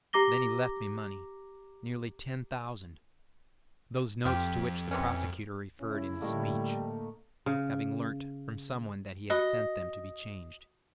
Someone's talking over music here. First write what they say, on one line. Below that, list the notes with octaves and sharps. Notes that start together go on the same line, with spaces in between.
Then he left me money, nearly ten thousand--those notes to which the prosecutor referred in his speech, having learnt from some one that he had sent them to be changed.
G4 A#5 D6 A#6 G7
F2 F4 G4
C3 E3 C#4
C#3 C#4 E4
A2 D3 G3 A3 A#3 D#4
C#3
F#4 D#5 B5